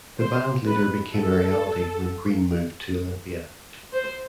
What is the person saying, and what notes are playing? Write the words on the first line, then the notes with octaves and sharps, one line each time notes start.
The band later became a reality when Green moved to Olympia.
C5
B4
A4
C5